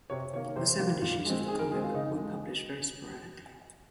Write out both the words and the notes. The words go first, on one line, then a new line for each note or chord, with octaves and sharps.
The seven issues of the comic were published very sporadically.
C3 C#5
D#3 A#3 C#5
C3 C5
G3 A#3
A#2
G#3 C4
D#3 G#4
A#4
G#3 C4 G#4
F4
C#3 D#4
G#3